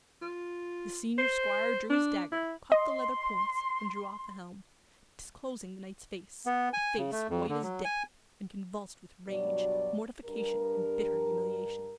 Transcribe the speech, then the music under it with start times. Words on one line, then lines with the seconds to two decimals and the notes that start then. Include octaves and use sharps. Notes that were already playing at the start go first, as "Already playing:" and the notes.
The senior squire drew his dagger, cut the leather points, and drew off the helm, disclosing the knight's face--a face white as death, and convulsed with rage, mortification, and bitter humiliation.
0.22 F4
1.18 C5
1.90 D4
2.32 E4
2.72 D#5 C6
6.46 B3
6.73 G#5
6.98 C#3
7.12 A3
7.29 F2
7.49 D3
7.62 F#3
7.85 G#5
9.29 G2 B2 F#3 D5
10.25 G2 A#4